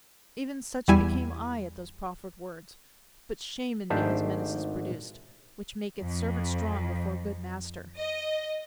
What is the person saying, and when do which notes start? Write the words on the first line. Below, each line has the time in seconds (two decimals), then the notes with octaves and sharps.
Even such became I at those proffered words; But shame in me his menaces produced, Which maketh servant strong before good master.
0.88 E2 G3 E4 G#5
3.90 G#1 G#2 A3 D4 G4 C5
5.99 F2
7.97 D#5